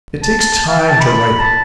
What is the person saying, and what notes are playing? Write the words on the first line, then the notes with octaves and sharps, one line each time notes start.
It takes time to ripen.
A5
F5
G5
A5
B5
A5